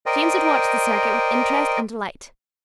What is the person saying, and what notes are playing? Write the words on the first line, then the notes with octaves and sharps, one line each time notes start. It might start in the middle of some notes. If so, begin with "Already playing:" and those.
James had watched the circuit with interest and delight.
A#4 C5 D5 D#5 G5